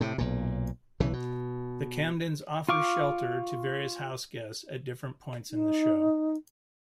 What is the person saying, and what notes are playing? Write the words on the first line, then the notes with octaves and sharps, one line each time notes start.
The Camdens offer shelter to various house guests at different points in the show.
A2 C3
B1 A#2
B1 C#3 E3
B2
F4 F5 C#6 D6
D#4